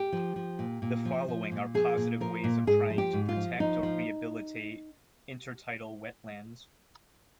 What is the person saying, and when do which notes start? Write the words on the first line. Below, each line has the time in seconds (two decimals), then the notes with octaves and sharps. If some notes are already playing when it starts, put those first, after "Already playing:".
The following are positive ways of trying to protect or rehabilitate intertidal wetlands.
Already playing: G4
0.13 F3
0.36 F3
0.59 A#2
0.82 A#2
1.05 F3
1.28 F3
1.52 A#2
1.74 F3 G#4
1.97 A#2
2.21 F3 A#4
2.44 A#2
2.67 G#2 G#4
2.90 F3
2.98 G4
3.13 G#2
3.29 F4
3.36 F3
3.60 F3 D#4
3.83 F3